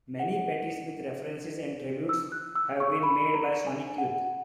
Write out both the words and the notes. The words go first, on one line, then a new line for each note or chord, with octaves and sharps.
Many Patti Smith references and tributes have been made by Sonic Youth.
F#5
E6
F#6
E6
C#6
B5
A#5
G#5
F#5